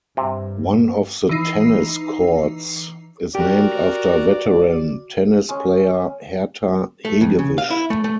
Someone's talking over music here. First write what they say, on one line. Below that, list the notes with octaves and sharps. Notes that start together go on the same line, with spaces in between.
One of the tennis courts is named after veteran tennis player Herta Hegewisch.
G2 C3
E3 D#4 C7
F#4 G4 A#4 D5
G#3 C#4
A3
F2
C#3
F5
E4
A3
A3